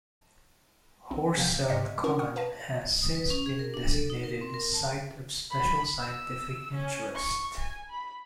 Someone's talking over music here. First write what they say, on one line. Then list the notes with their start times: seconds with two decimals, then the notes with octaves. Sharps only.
Horsell Common has since been designated a Site of Special Scientific Interest.
1.10 B1 C4
1.37 C3 F3 B3 F5 G5 G6
1.68 G#2 D5 D#5 F6 B6 C#7
2.04 C#4 D4 A#4
2.19 F#5 C#6 D#6 F6
2.36 B4 F5 A5 A#6
3.02 D#6
3.15 B4
3.30 C#4
3.46 G#4
3.59 A#4
3.74 D4
3.91 A4
4.10 D#4
4.24 A#4
4.41 C4
4.54 A#4
4.73 A5
5.50 B5
5.99 E6
6.75 C#4
7.14 C#6
7.56 G#5
7.90 B5